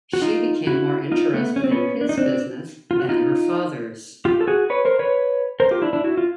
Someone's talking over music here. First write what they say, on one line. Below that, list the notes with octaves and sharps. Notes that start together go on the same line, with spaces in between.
She became more interested in his business than her father's.
F#4
D#4 F4
E4 F#4
D#4 F4
A3 B3
C#4
C4
B3 C#4
D4
D#4
C4 D4
F4
F#4
D#4 F4
F4 G4
A4
F#4 G#4
B4 C#5
A#4 C5
B4 C#5
A#4 C5
F4 G4
D4 E4
D4 E4
E4 F#4
F4